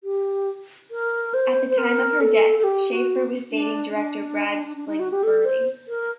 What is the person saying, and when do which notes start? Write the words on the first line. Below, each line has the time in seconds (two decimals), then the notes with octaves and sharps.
At the time of her death, Schaeffer was dating director Brad Silberling.
0.04 G4
0.91 A#4
1.34 C5
1.69 C5
1.78 A#4
2.21 A4
2.58 A4
2.64 G4
2.93 F#4
3.51 D4
3.94 D4
4.77 D4
4.88 D#4
5.00 F#4
5.11 G4
5.23 A4
5.45 C5
5.88 A#4